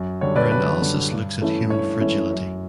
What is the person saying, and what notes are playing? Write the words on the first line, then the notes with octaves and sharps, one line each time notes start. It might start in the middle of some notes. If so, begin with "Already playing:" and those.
Her analysis looks at human fragility.
Already playing: F#2
D3 G3 D4 C#5
B4 D5
F#2 B4
D3 G3 D4
G2
E3 A3 C#4 E4
G2 C#5
E3 A3 C#4 E4
F#2